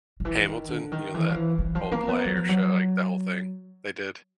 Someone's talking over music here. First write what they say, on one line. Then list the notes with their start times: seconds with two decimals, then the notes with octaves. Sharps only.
Hamilton, you know that whole play or show like the whole thing they did?
0.20 D#3
0.25 E3
0.47 D#3
0.69 D3
0.92 D#3
1.14 E3
1.30 F3
1.35 E3
1.58 E3
1.75 F3
1.91 A#3
2.08 B3
2.25 F#3
2.37 F3
2.49 F#3